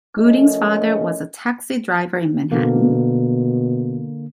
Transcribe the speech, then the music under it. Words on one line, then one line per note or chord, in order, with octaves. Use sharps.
Gooding's father was a taxi driver in Manhattan.
F3 A3 C#4 A#4 D#5
B2 D3 A#3